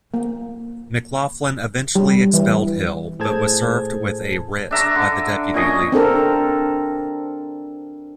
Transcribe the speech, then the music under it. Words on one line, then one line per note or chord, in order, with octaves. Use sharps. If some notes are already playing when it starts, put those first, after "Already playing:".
McLaughlin eventually expelled Hill but was served with a writ by the deputy leader.
A#3
G3
E3
A2 G#4 A4 C5 A5 G#6
D4 E5 A#5 C#6
D3
A#2 C#4 D#5 C#6
C4 D4 A4 A#4